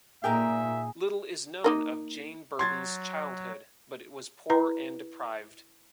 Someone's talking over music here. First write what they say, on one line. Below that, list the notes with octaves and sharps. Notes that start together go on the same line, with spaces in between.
Little is known of Jane Burden's childhood, but it was poor and deprived.
A#2 D#4 G#4 A#4 E5 G5
A#3 D#4 A#4
F#3 C6 G#6 A6
E4 B4 A#5